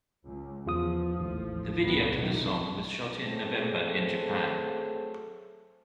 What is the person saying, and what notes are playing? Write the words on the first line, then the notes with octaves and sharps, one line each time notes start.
The video to the song was shot in November in Japan.
C#2
E2 F3 F4 D#6
A1 D#2 A2
C2 B3
B1 C3 D#3
F#3 A3 C4 G#4 A4 C5